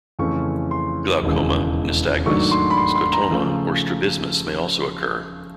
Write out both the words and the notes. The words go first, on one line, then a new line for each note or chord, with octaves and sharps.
Glaucoma, nystagmus, scotoma, or strabismus may also occur.
F2 C#3 E3 A3 C#4 C#6
C6
E1 D#2 C#3 E3 G#3
G#2 D#3 F#3 A3 D4 C#6
C6
B5
C6
C6
A#5
C#3 F3 A3